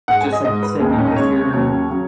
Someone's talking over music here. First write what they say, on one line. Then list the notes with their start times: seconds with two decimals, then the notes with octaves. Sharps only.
just like you said, you know, if you're
0.08 G#2 G#3 F#5
0.21 G#5
0.33 D#5
0.44 G#2 G#3 D#5
0.63 B4
0.80 D#2 C#3 G#3 G#4
0.90 D#4
0.98 C#4
1.07 D#4
1.16 D#2 C#3 G#3 C#5
1.53 D#2 C#3 F#3 C#5
1.89 C#3 F#3